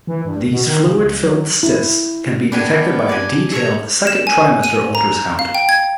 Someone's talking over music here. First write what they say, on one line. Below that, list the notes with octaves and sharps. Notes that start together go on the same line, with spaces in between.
These fluid-filled cysts can be detected by a detailed second trimester ultrasound.
E3
G2
F1
B2
D#3
C#3
C#2
F#3
E4
B3 D4 G4 G#5
D5 G#5
G4 A4 C#5 A#5
E7
G#5
D#7
A#5
F5
G5
G#6